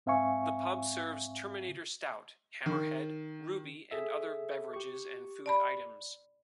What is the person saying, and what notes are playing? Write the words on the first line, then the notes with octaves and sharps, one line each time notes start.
The pub serves Terminator Stout, Hammerhead, Ruby and other beverages and food items.
G#2 C4 E5 F5 G#5 C#6
D#3
G#4 A4 E5
G4 C#6
D5 A5 B5